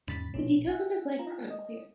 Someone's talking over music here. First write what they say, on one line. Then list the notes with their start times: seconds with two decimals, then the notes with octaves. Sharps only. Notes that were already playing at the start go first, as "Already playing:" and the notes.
The details of his life are unclear.
0.08 E2 G#2 C#3 B5 A6 B6
0.34 A#1 B2 C#4
0.69 E5 F#5 G#5
1.19 F4 A#5
1.50 D#5